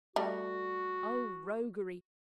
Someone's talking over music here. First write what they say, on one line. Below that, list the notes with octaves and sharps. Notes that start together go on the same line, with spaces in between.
Oh roguery!
G3 A3 F#4